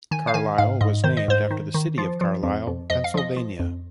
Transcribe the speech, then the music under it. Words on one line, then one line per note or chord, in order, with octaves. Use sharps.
Carlisle was named after the city of Carlisle, Pennsylvania.
D#3 G#5
F5
D#3 G#5
G#2 F5
G#2 D#5
D#3 C5
D#5
G#2 C5
D#3
D#3
F3
F3
F2
F2
F2 D#5
F5
F3 D#5
F3
F2